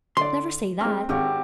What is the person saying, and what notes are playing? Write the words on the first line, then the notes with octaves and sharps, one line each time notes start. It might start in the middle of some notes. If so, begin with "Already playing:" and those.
Never say that!
D3 D5 C6
G#3 C4 F6
G#1 F#4 G4 F5